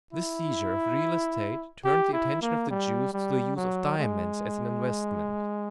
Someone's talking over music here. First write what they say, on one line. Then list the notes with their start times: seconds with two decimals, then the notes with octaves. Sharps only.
This seizure of real estate turned the attention of the Jews to the use of diamonds as an investment.
0.13 E4
1.85 G4
2.13 E4
2.42 A#3
2.71 G3
3.14 G3
3.57 F#3
3.99 G#3